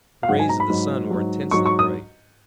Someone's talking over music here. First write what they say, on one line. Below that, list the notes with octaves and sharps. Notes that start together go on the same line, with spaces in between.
The rays of the sun were intensely bright.
F5
G#2 F#3 F#5
G#5
A#5
B5
G#2 F#3
G#2 F#3
G#2 F#3 C#6
C#6
D#6